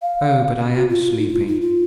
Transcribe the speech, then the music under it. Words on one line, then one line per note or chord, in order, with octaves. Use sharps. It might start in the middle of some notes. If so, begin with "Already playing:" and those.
Oh, but I am sleepy!
F5
F#4
F4
F4
D#4
D#4
F4
D#4
F4